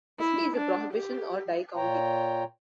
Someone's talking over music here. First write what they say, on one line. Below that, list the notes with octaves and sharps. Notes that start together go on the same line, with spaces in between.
Leslie is a prohibition or dry county.
E4
D4
G4
A#2 F4 C#5 G5 A#5